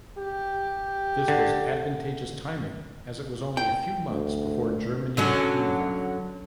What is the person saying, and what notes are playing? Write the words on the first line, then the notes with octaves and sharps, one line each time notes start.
This was advantageous timing, as it was only a few months before Germany unified.
G4
D3
G5
D2
D3 F#3 C#4